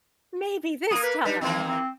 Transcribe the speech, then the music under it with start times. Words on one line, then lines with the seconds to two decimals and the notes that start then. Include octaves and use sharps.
"Maybe this time."
0.91 A#3 A#4 D#6
1.03 B4
1.25 G3 D4 D#4 B4
1.41 D#3 E3 A#3 C4
1.68 C4